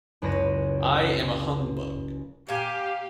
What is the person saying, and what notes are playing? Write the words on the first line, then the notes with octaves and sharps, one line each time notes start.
I am a humbug.
F#1 C#2 B4 C#5 A#6 D#7
A#2 G4 F5 G#5